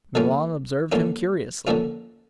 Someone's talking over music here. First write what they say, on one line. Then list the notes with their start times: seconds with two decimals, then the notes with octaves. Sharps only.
Milon observed him curiously.
0.15 D3 F3 A#3 C#4 F4
0.92 D3 F3 A#3 C#4 F4
1.67 D3 F3 A#3 C#4 F4